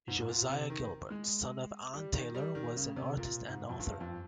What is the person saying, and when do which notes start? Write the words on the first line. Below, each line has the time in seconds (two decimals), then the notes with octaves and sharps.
Josiah Gilbert, son of Ann Taylor, was an artist and author.
0.08 G#2
0.28 A#2
0.49 C3
0.70 D#3
1.10 G#3
1.94 G3
2.14 D#3
2.35 G3
2.55 D#3
2.76 C#3
2.96 C3
3.18 A#2
3.48 G#2
3.69 F2
3.79 G2
4.00 F2